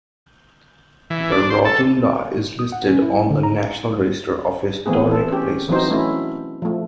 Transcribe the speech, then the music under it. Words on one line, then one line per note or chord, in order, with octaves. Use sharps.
The rotunda is listed on the National Register of Historic Places.
E3
D4
C5
A4
D#6
F#5
C#4
E4
D3
A#5
E3 A3 B3 C4 G#4
E3 A4
C#4 G4
E3 F#3 C4 D#4 C5
F#3 A3 C#4 E4
F3 A3